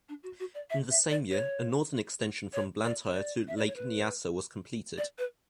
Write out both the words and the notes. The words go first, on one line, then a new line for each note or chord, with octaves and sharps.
In the same year, a northern extension from Blantyre to Lake Nyasa was completed.
D4
F#4
F#4
D5
E5
E5
D5
C#5
C#5
D5
D5
E5
D5
C#5
B4
D5
B4